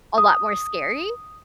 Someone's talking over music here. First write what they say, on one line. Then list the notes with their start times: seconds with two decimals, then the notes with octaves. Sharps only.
a lot more scary.
0.18 D#6